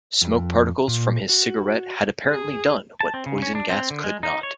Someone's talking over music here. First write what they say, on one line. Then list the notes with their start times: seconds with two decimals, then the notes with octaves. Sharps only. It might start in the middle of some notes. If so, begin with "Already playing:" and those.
Smoke particles from his cigarette had apparently done what poison gas could not.
0.22 F2
0.88 A#2
1.29 F#4
2.30 G#4
3.01 A5
3.14 C4
3.26 C#3
3.42 C#4
3.55 D4
3.70 C4
3.90 D3
4.04 G#3
4.23 D#4
4.43 C#5